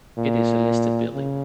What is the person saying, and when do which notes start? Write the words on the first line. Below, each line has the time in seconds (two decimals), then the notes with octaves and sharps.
It is a listed building.
0.18 A#2
1.14 C#3